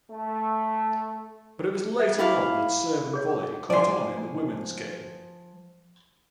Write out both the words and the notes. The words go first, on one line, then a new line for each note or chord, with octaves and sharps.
But it was later on that serve and volley caught on in women's game.
A3
E5
E4 F5 D6
G#4 C#5
F3 D5 G#5 C6